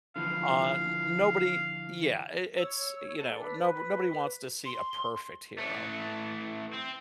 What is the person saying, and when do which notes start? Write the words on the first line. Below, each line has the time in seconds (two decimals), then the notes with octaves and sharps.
Uh, n nobody Yeah, it it's you know, nob nobody wants to see a perfect hero.
0.16 D3 E3 F3 F5
2.58 C#5 E6
3.18 A4
3.38 D4 B4
3.60 B4
4.65 C6
5.58 E3 A3
6.73 C4